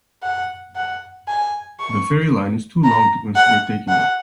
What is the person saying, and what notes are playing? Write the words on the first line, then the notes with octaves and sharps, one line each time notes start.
The ferry line is too long to consider taking it.
F#5
F#5
G#5
C#6
A#5
F#5
F#5